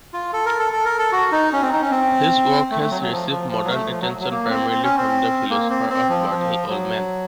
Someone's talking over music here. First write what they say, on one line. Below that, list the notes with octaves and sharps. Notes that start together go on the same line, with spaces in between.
His work has received modern attention primarily from the philosopher Bertell Ollman.
F4
A4
A#4
A4
A4
A#4
A4
F#4
D#4
C#4
C4
D#4
C#4
C4
A3
A3
F#3
F#3
F3
F3
F3
F#3
A3
F3
F#3
F#3
A#3
C4
C4
C#4
C4
A#3
C4
C4
F3
F3
F#3